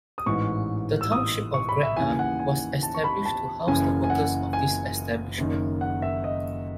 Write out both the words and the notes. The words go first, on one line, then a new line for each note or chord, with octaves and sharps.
The township of Gretna was established to house the workers of this establishment.
D#6
A1 G#2 E3 C#6
E6
D#6
C#6
B5
E5
D#2 C#3 E3 G#5
F#5
G#5
A5
C#6
B5
A5
F#1 F#2 C#3 E3 G#5
G#5
F#5
G#5
F#1 F#2 D#3
F#5
E5
D#5